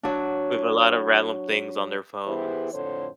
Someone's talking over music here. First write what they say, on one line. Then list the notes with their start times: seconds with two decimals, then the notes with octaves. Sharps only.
with a lot of random things on their phones.
0.03 F#3 D4
2.26 E3 B3 E4 G4 G#4 C5
2.73 F2 A2 D3 C5 C#5